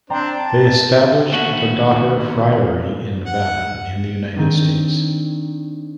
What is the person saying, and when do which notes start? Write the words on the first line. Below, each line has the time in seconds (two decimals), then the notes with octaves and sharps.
They established the daughter friary in Nevada in the United States.
0.10 C4 D4 C5 D5 G5 A#5
0.39 A5
1.32 D#2 B2 A3 C#4 F#4
3.26 F#5
4.34 D#3 C4 D4 D#7